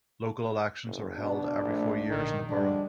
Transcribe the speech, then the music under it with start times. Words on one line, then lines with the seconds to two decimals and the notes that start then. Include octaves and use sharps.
Local elections are held every four years in the borough.
0.85 F#1
1.17 B2 D4
1.62 A#1 A3
2.09 A#1 D3 D#3
2.50 D3 G3 G#3 D4